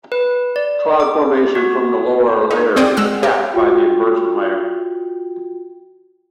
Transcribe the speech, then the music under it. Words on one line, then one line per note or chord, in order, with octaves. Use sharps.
Cloud formation from the lower layer is "capped" by the inversion layer.
B4
D5
D6
F#4
D#4
C4 G#4 C5 D5 G5 D#6
G#3 F#5 E6 F6
G4 A#4
F4 F#4 G5